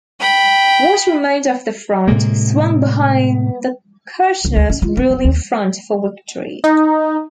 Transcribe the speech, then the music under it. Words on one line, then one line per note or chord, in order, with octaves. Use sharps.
What remained of the Front swung behind the Kirchners' ruling Front for Victory.
G5 B5
A2 C3 G#3 A#3
C#2
D2
C#4
F4
C4
F#1
D#2
D#4